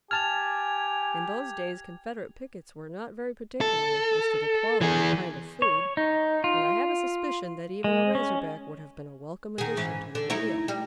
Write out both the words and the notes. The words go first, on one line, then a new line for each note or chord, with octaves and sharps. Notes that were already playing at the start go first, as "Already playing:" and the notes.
In those days Confederate pickets were not very particular as to the quality or kind of food, and I have a suspicion that even a "Razor Back" would have been a welcome addition to their meal.
G4 G#5 A5 F6 G#6 F7
A4
E3 G#4
C#5
D#4
F4
G#3
C#4
D#3 G#4
G#2 E3 C#4
D3
D#4 E4 C#5
G3